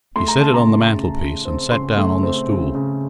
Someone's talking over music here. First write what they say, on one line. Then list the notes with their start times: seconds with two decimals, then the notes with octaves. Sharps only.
He set it on the mantelpiece, and sat down on the stool.
0.16 A3 C6
0.28 A#5
0.41 C#3 A5
0.54 A#5
0.68 A3
0.93 C#3
1.19 C#3
1.45 C4
1.71 C#3 C6
1.97 A3
2.23 C4
2.49 C#3
2.75 C#3